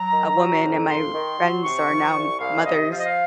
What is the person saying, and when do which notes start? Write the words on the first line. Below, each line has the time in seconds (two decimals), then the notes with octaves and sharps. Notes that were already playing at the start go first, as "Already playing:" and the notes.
a woman and my friends are now mothers,
Already playing: F#3 A#5
0.11 D#3
0.36 F#3
0.62 F2
0.87 F2 C6
1.13 D#3
1.38 F#3
1.64 C3 C#6
1.89 F3
2.15 C2
2.40 C2 F5
2.65 C3 D#5
2.91 F3 F5
2.98 D#5
3.05 F5